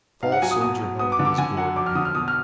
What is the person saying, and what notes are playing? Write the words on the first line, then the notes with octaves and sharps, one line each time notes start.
The tall soldier held out his gory hand.
G#2 F5
F#5
F#3 G#5
D#6
B2 D#6
F#3
B3 D#6
D6
D3
D6
D3 G#5
F#3 F#5
F2 D6
F6
D3 D#6
F6
B2 D#6
F6